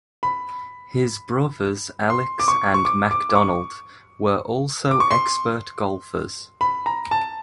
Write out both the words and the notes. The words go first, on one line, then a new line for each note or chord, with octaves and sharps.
His brothers Alex and Macdonald were also expert golfers.
B5
C6
D6
C#6
C#6
D6
D6
D6
C#6
D6
C#6
C6
B5
A#5
A5